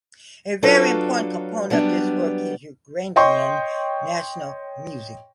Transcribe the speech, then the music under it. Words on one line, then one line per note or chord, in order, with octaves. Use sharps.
A very important component of this work is Ukrainian national music.
F#3 D4 F4 A4 B4 C#5
F#3 G3 B3 D4
C#5 D#5 G5 C6 C#6